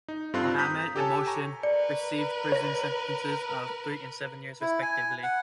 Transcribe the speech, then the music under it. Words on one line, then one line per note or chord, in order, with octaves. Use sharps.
Mohammed and Mohssin received prison sentences of three and seven years respectively.
D#4
G2 C4 F4 A4 C6 F#6
A#5 D#6 G6 B6
G4 A4 C#5 G#5 A5
G#5 A#5 C#6
A#4 B4 D5 C#7
C#5 A#6
E4
G#5
F#5